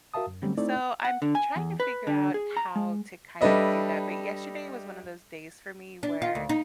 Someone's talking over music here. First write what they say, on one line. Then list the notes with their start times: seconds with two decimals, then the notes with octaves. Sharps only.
So, I'm t trying to figure out how to, kind of do that, but yesterday was one of those days for me, where
0.14 F#4 A#4 E5 F5 A5 D#6
0.27 F#2
0.42 D3 F#3 G3 A3 C4 C#4
0.58 A3 C4 D#4 E4 D5
1.05 F#5
1.22 D3
1.35 G#5
1.56 E2
1.80 B4
2.07 D3
2.34 G#4
2.57 A#5
2.76 G#3
3.41 G3 D4 A4 B4 D#5 E5
6.03 D4
6.22 F4
6.35 D2
6.49 D#4